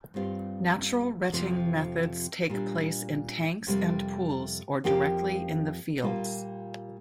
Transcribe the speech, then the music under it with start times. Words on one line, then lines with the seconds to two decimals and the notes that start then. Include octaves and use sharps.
Natural retting methods take place in tanks and pools, or directly in the fields.
0.14 G2 G3 C4 F4
1.32 F2 C3 F3
2.50 A#2 G3 D4
3.67 F2 C3 G3 A#3
4.84 F2 F3 A#3 G4
6.02 A#2 G3 A#3 F4